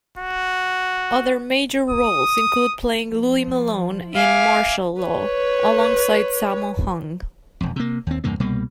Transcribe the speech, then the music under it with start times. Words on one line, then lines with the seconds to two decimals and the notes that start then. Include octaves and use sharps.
Other major roles include playing Louis Malone in "Martial Law" alongside Sammo Hung.
0.18 F#4
1.90 D#6
3.06 F3
4.14 E5 F5 G#5 D6
5.01 B4 C#5
7.61 E1 F2
7.76 C3 A#3
8.07 D#2 C4
8.24 E2 G2 C3 A#3
8.40 C2 B2 G3 A#3